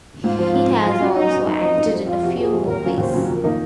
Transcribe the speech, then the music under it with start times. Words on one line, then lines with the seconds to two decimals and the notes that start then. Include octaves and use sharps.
He has also acted in a few movies.
0.24 G#2 F4
0.39 F3 C4
0.54 G#2
0.70 F3 C4
0.85 F#3 F4
1.00 C#4 F#4
1.15 F#3 D#4
1.30 C#4 F#4
1.46 F#2 D#4
1.61 F3 C4
1.76 F#2
1.91 F3 C4
2.07 F2 F4
2.22 C3 F3 C4 F#4
2.37 F2 G#4
2.52 C3 F3 C4 F#4
2.67 D#2 A#4
2.83 C#3 F#3 C#4 F4
2.98 D#2 C5
3.13 C#3 F#3 C#4 F4
3.28 F2 A#4
3.44 D#3 A#3 D#4